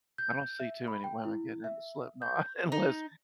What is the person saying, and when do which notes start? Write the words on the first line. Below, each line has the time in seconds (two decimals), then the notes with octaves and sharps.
I don't see too many women getting into Slipknot unless
0.18 G6
0.60 E5
0.88 B5
1.04 G5
1.25 E4
1.64 E5
2.22 G6
2.72 D#4